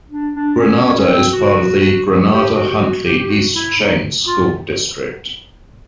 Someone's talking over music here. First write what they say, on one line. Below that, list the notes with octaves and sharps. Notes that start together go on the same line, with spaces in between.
Granada is part of the Granada-Huntley-East Chain School District.
D4
D4
C#4
C#4
C#4
C4
F#4
G4
F#4
G4
F#4
G4
G4
F#4
E4
D#4
F4